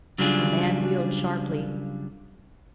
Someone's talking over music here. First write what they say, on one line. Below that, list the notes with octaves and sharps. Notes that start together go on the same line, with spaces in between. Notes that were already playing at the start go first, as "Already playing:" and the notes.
The man wheeled sharply.
C#3 F#3 G3 D4 F4 G#4